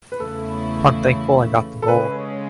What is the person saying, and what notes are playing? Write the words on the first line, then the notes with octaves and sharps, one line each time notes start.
I'm thankful I got the goal ...
B4
E2 C#3 E3 A3 E4 A4
A4
C#3 G#3 C#4 B4